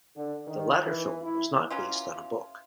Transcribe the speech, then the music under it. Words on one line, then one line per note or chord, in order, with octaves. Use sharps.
The latter film was not based on a book.
D3
D#3
E3
E4
E3 F#3 C#4 F4